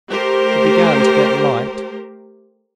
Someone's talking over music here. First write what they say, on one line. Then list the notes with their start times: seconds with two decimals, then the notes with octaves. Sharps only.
It began to get light.
0.10 A3 G4 A#4 C5